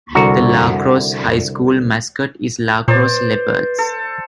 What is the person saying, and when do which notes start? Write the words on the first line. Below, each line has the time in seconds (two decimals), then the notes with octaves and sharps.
The LaCrosse High School mascot is LaCrosse Leopards.
0.15 C2 D3 F#4 A#5
2.88 A#2 B4 C5 D5
3.78 A4